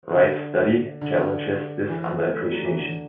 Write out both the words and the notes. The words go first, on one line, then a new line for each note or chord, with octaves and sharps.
Wright's study challenges this under-appreciation.
D3
D3
E3
A3
G3
F#3
E3
D3